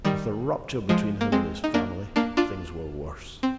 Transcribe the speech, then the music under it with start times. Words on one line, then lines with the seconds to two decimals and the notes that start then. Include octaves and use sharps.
With the rupture between him and his family, things were worse.
0.05 D#3 G3
0.89 F3 G#3
1.21 A#3
1.32 G#3 C4
1.64 D#4
1.74 A#3 D4
2.16 A#3 D4
2.37 D4 F4
3.43 C4